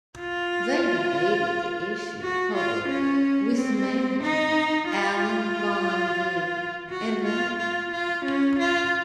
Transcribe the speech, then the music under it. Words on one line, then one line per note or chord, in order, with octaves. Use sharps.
They debated the issue publicly with the manager, Alain Bondue, and left.
F4
F#4
F4
C#4
C4
D#4
F4
F#4
F4
F4
F4
C#4
F4